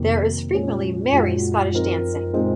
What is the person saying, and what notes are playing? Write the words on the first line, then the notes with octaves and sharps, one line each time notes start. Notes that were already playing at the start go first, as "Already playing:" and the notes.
There is frequently merry Scottish dancing.
Already playing: F2 C3 D#3 F#3 A#3
A#2 G#3 C#4 G#4
F#2 A#2 G#3 D#4 F#4
F3 C4 D#4 A#4
A#2 G#3 C4 D#4